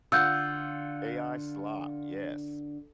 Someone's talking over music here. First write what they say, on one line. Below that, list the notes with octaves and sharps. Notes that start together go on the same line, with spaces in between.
AI slop, yes.
D3 F4 F#5 E6 G6